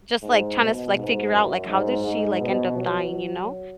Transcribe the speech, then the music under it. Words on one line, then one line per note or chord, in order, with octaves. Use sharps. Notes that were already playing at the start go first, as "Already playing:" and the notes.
Just, like, trying to s like, figure out, like, how did she, like, end up dying, you know
G#2
B2
G#2
F#2
G#2
G#2
B2
F#3